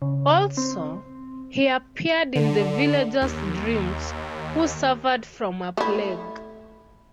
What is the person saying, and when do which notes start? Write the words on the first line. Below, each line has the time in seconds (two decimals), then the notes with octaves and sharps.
Also, he appeared in the villagers dreams who suffered from a plague.
0.02 C#3
0.57 C4
2.35 D3
3.22 D#2
5.77 A3 E4